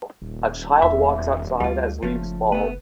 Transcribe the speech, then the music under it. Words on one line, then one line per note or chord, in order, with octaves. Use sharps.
A child walks outside as leaves fall.
D#1
E2 E5
D2 G3 F4
F#1 F3 A3 C#4
A3 B3 B4